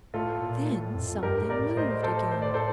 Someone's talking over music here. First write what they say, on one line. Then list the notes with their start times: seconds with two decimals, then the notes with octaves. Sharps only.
Then something moved again.
0.14 A2 F4 A4
0.42 A#2
0.69 A2
0.95 F2
1.23 G2 G4 A#4
1.41 A2
1.50 A#4 D5
1.59 A2
1.76 A2 C5 D#5
2.03 A4 C5
2.31 C5
2.42 D5
2.54 A4 C5